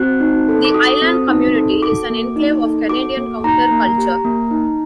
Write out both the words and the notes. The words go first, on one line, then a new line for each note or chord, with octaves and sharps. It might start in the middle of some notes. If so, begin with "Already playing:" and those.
The island community is an enclave of Canadian counter-culture.
Already playing: C4 F#4 F#6
D#4
A4
D6
F#4 D#6
C4
D#4
A4
F#4 D6
A#3
D#4
A4
F#4 D6
A#3
D#4 A#5
A#3
G4
A#3
D#4